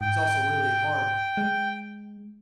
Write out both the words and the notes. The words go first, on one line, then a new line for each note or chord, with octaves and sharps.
It's also really hard.
G#2 G5
G#3